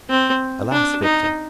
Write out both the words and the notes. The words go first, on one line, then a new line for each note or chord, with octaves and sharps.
Alas, Victor!
C4
D4
D#4